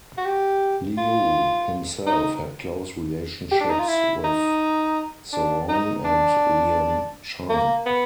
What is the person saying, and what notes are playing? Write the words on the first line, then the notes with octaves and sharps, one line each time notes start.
Liu himself had close relationships with Soong and Lien Chan.
F#4
G4
F4
D#4
G4
D4
D#4
F4
E4
D#4
D4
D#4
D4
A#3
B3